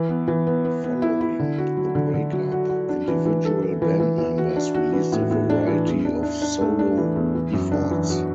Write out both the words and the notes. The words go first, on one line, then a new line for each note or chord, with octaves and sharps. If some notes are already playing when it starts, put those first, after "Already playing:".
Following the breakup, individual band members released a variety of solo efforts.
Already playing: E3
B3
E3
B3
B3
B3
E4
E4
D3
F#4
F#3
D3
D3
F#3
F#4
F#4
D4
E3
E3
A4
A4
E3
E3
E3
F#4
D4
F#4
E3
A2
A2
D4
E3
E2
D4
D4
D4
A3
D4
E3
E2
E3
F#2
D4
E3
F#4